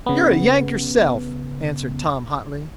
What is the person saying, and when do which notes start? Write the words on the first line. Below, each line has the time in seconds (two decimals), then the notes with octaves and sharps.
"You're a Yank yourself," answered Tom hotly.
0.06 C#3 B3